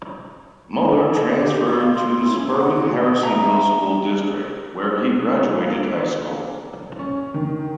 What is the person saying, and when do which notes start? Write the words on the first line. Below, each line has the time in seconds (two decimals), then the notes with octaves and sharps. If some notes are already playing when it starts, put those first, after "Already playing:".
Muller transferred to the suburban Harrisonville school district, where he graduated high school.
1.16 D#5
1.38 G4
1.54 G4
1.67 F4
1.79 F5
1.95 C6
2.19 E4
2.34 C#4
2.48 D4
2.60 F#5
2.75 F#4
3.23 D#5 E5 A#5
5.61 A#3
6.99 C#4
7.34 D#3